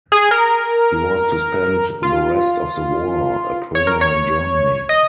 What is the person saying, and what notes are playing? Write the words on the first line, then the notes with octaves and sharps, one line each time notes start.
He was to spend the rest of the war a prisoner in Germany.
G#4
A#4
F4
C#5
A#4
C#5
D#5